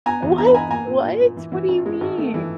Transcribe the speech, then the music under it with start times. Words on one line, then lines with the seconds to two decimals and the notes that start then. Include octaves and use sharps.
What? What? What do you mean?
0.06 B3 G#5 A#5
0.22 E2
0.38 B3 A#5
0.46 B5
0.54 B3 G#5 A#5
0.71 A#3 G#5 A#5
0.87 A#2
1.04 A#2
1.20 A#2
1.37 E3
1.52 E3
1.69 A1
1.86 G#3
2.01 G#1
2.18 A3
2.34 E3